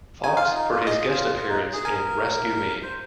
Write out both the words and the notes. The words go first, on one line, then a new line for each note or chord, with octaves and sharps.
Fox for his guest appearance in "Rescue Me".
D#4 G#5
F4 F5
D#4
F4
G#4 D#5
F4
F4
D#4
G#4
A#4 G#5
C5